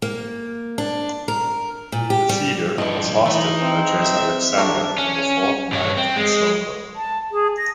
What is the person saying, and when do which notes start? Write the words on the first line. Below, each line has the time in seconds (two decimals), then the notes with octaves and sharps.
The seder was hosted by Jason Alexander on the fourth night of Passover.
0.02 A#3
0.78 D4
1.28 A#4
1.92 A#2
2.10 G4
2.29 G3
2.78 G2 E3 F3 D#5
3.26 E3 A3 D#4 B4
3.63 C4
4.02 E5
4.58 G#2 C3 D4 F#4 A#4
4.98 C#4
5.72 G2 C#5
5.97 C4
6.16 G#3
6.96 A5
7.32 G#4
7.58 A#6